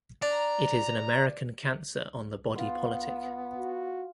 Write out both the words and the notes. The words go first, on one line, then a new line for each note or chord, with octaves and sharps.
It is an American cancer on the body politic.
D4 A#5
B3 F4 C6
F#4